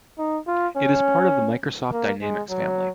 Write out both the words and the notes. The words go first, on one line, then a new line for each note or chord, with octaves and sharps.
It is part of the Microsoft Dynamics family.
D#4
F4
C#4
A#3
G#3
F#3